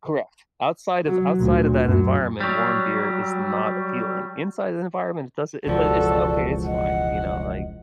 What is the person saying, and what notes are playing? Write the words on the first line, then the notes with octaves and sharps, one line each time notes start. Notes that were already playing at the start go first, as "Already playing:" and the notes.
Correct, outside of outside of that environment, warm beer is not appealing, inside the environment, it doesn't it do it's not okay, it's fine, you know, like
F#3
D2 A#2
F#2
F#3 G3
E1 C#2 F3 F#4 A4 D5
D#5 F#5